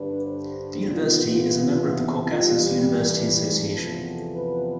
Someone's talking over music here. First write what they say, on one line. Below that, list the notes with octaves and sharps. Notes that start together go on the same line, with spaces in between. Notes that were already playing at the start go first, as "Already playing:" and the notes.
The university is a member of the Caucasus University Association.
Already playing: G2 D3 G3 D4 B4
C5
C3 E3 B3 F4
F4
E4
F2 E3 G3 F4
G4
A4
E2 C3 F3 B3
B4